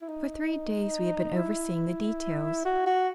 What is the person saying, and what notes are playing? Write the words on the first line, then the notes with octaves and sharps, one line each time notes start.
For three days we had been overseeing the details.
E4
D#4
E4
F#4
F#4